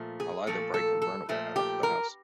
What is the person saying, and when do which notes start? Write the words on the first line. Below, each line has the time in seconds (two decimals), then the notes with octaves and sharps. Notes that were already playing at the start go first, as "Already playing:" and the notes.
I’ll either break or burn a way out of the house.
Already playing: A#2 F3 A3
0.20 G#4
0.47 A#2 F3 A3 A4
0.74 A4
1.02 A4
1.29 A#2 F3 A3
1.56 G4
1.83 A#4